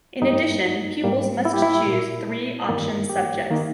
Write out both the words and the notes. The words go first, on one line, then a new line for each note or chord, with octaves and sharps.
In addition pupils must choose three option subjects.
G2 G3 A#3 D#4
G#2 G3 A#3
E4
G4
E4
A#2 A#3
G2 D#3 G3 A#3
G4
D#3 A#3